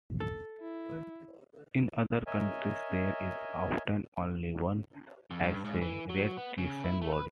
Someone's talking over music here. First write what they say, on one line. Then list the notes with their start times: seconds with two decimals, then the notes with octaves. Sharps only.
In other countries there is often only one Accreditation Body.
0.20 A4
0.60 E4
2.27 A#4 C#5 D#5 E5 G#5
5.31 F2
5.43 G2
5.65 G#2
5.81 E3
6.10 F#3
6.37 B3
6.58 C#3
6.84 E4
7.02 A3
7.13 B4